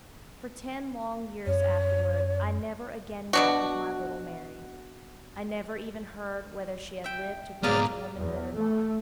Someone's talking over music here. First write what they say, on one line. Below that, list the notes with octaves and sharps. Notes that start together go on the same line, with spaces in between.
For ten long years afterward I never again met with my little Mary; I never even heard whether she had lived to grow to womanhood or not.
F#2 C#5
B2 D4 F#4
E5 G5
G#2 B2 A#3 B3 G#4 D5 D#5 F6
E2
A3